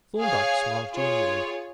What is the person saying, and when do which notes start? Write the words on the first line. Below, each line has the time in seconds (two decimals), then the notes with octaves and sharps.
Thorndyke smiled genially.
0.19 G#4 C#5 F5 G#5
0.91 F4 G#4 C#5